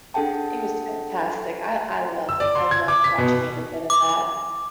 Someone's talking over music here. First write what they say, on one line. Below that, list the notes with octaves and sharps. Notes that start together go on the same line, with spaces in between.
it was fantastic, I I loved I loved watching every bit of that.
D4 G#4 A4 F#5 G5 A5
E6
D5
C6
G#6
D6
B6
B2
D6